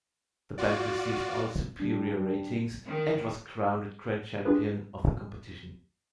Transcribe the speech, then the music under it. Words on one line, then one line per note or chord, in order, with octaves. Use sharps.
The band received all superior ratings and was crowned Grand Champion of the competition.
F4 F#4 D5
G3 D4
D#3
D4 F4 G4 G#4 B4